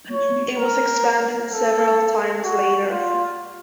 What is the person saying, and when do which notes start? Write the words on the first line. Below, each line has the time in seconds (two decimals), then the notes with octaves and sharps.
It was expanded several times later.
0.12 C#5
0.57 A#4
1.51 A4
2.44 F#4
2.91 F4